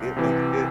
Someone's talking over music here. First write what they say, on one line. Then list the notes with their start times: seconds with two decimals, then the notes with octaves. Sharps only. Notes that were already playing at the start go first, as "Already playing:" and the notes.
it makes it
Already playing: C2
0.17 C3 E3